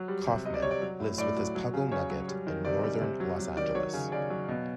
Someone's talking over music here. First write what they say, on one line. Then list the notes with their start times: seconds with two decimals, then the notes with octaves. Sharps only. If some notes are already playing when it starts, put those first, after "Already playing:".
Kaufman lives with his puggle Nugget in northern Los Angeles.
Already playing: F#3
0.08 G3
0.27 C3
0.45 G3 D#5
0.54 D5
0.62 C3 C#5
0.71 D5
0.82 F#3
1.00 A2
1.18 A2 D5
1.37 F#3
1.55 F#3
1.73 C#3
1.91 C#3 C#5
2.10 F#3
2.28 G3
2.47 D#3
2.65 C3 D5
2.83 G3
3.01 C3
3.20 F#3
3.39 F#3
3.57 D#3 D5
3.75 F#3 C#5
3.93 C#3
4.12 C#3 D5
4.30 F#3
4.48 B2